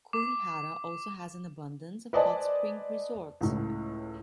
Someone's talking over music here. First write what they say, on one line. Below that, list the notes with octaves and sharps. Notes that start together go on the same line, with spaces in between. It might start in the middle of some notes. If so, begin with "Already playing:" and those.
Kurihara also has an abundance of hot spring resorts.
D6
B4 C5 D5 D#5 G#5 A5
C#2 A2